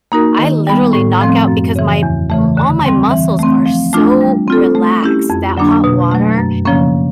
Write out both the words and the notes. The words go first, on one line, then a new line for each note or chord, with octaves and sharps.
I literally knock out because my m all my muscles are so relaxed that hot water,
A#3 D#4 F#4 A#4
D#3
G3 B3
A2
F3 A3 C4
F#2
C#3 E3
E2
C#3 E3 A3
D3
G3 C4
E3
A3 C4
F3
A3 D4 F4
G3
C4 F4 A4
A3
C#4 E4 G4
F2
D3 F#3 A#3 D4
B2
F#3 A3
F#2
C#3 F3 A#3 C#4